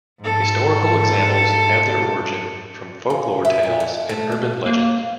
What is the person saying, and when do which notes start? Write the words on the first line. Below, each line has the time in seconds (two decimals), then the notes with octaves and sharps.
Historical examples have their origin from folklore tales and urban legends.
0.21 G#2 A4
3.10 C#3
3.45 E5
3.63 A#2
3.80 F2
4.09 A3
4.32 F2
4.66 A#3